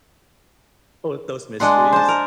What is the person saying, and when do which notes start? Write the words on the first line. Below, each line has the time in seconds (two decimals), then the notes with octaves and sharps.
all those mysteries.
1.60 G#3 D4 F#5 C6
1.93 C5 A5
2.08 A#4